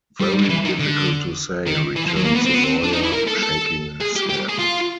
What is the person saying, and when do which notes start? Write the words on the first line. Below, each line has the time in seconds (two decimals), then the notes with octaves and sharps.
"Very difficult to say," returns the lawyer, shaking his head.
0.20 G3
0.49 E3
0.65 D#3
0.80 D3
1.67 D#3
1.96 E3
2.06 F3
2.16 F#3
2.25 A#3
2.35 B3
2.45 C4
2.54 B3
2.63 C4
2.83 D4
2.93 D#4
3.03 E4
3.14 A#4
3.27 A4
3.43 A4
4.01 G#4
4.16 G4
4.30 G4
4.49 G#4
4.59 F4